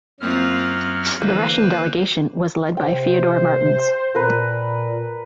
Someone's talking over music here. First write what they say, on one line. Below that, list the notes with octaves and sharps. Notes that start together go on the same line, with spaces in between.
The Russian delegation was led by Fyodor Martens.
F#2 F#3 A#3 C4 F4 F6
D3 E3 A#3 B4 C5
C3 C5 G5
A#2 A#4 B4